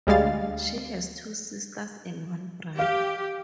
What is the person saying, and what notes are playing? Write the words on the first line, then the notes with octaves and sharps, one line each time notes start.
She has two sisters and one brother.
D2 G3 G#3 F5 A6
G4 F5